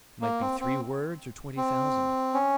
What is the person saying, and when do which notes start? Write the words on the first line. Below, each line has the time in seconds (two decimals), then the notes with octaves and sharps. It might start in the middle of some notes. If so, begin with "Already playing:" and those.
It might be three words or twenty thousand.
0.22 A#3
0.41 C4
0.61 C4
1.57 C4
2.34 C#4